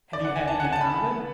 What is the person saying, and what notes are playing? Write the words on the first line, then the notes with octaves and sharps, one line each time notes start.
"Have you had any account of it?"
D5
F#5
G#5
A5
F#5
G#5
A5
B5